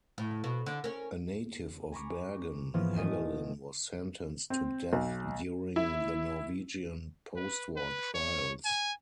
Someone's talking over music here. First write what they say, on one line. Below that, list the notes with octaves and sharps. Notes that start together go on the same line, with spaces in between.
A native of Bergen, Hagelin was sentenced to death during the Norwegian post-war trials.
A2
B2
D3
C#4 A#4
G#5 A#5 B5 C#6 D6
G#2 E3 F3 A#3 B3 C#4
E1 A3 D#5 G#5 A6 D#7
C4
B1
E4
B4
B4
C#5
G#5